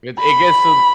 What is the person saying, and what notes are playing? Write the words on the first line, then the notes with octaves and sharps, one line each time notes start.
It it gets to
B5